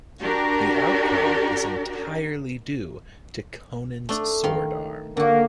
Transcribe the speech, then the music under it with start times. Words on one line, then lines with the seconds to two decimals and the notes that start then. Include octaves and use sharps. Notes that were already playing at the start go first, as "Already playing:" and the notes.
The outcome is entirely due to Conan's sword-arm.
0.21 D4 F#4 G4 A#4
4.09 A3 D4
4.44 D#3 F5 C6
5.17 D3 A#3 F#4